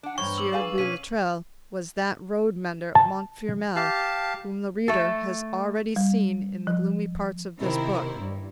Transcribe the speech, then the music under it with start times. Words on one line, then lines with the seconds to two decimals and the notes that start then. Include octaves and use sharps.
Sieur Boulatruelle was that road-mender of Montfermeil whom the reader has already seen in the gloomy parts of this book.
0.03 D4 F#5
0.18 E2 G2 G3 C5 C#5 A#5 C#6
0.38 D6 E6 F#7
0.53 G#4 B4 D5 F5 G#5
0.78 B2 C#4 C#5 F5 B6 D#7
2.95 A5
3.76 G4 F5 A5
4.88 A3 A4
5.96 G3
6.67 F3
7.60 C3 D#3 E4 A#4 C5
8.18 G2